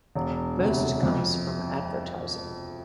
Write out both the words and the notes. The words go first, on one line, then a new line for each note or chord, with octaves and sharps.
Most comes from advertising.
E1
D2 C3
F2